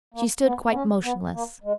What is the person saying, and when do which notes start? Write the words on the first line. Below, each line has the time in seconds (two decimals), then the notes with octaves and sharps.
She stood quite motionless.
0.14 A#3
0.45 B3
0.70 B3
0.74 C#4
1.04 B3
1.34 A#3
1.64 G#3